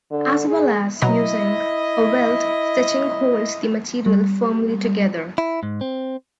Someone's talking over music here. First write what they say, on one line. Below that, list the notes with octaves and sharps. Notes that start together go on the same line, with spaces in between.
As well as using a welt, stitching holds the material firmly together.
D3
G#4
B2 F#3 E4 D#5 A#5
G3
E4
G#2
C4